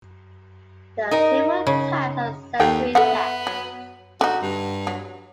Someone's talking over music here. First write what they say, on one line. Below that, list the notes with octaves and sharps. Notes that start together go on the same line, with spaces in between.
There are several types of sensory tests.
D#4 A#4 D#5
C#3
D#2 A4 F#5 G5
B3 A4 E5 F#5
F#3
D3 D#4 F#4
G2
F#3